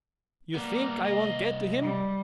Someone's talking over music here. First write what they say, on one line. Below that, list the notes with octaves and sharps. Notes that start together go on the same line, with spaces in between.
You think I won't get to him?
G3 A#3 B3
C2 D#5
G3